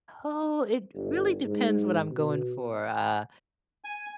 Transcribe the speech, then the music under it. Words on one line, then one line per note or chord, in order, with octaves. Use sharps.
oh, it really depends what I'm going for, uh,
G1
G#2
B2
G#5